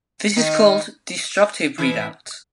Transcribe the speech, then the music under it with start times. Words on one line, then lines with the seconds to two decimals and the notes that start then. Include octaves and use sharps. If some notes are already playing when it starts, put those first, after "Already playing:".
This is called "destructive readout".
0.36 D#3 D#4
1.78 E3 E4